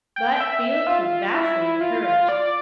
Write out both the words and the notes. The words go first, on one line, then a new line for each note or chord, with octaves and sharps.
But Felix was vastly encouraged.
G5
E5
F4
E4
F4
D5